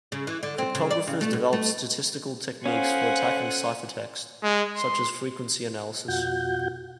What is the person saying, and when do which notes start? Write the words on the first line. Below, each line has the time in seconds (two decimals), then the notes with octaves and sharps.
Cryptographers developed statistical techniques for attacking ciphertext, such as frequency analysis.
0.12 C#3
0.27 E3
0.43 D3
0.58 C4
0.75 C#3
0.91 D5
1.07 C#3
1.21 A3
1.33 B2
1.53 A3
2.66 C#4 A4 C5 C#5 F5 F#5 G#5
4.43 G#3
4.76 C6
6.08 F2 B2 F4 F#4 F#5 G6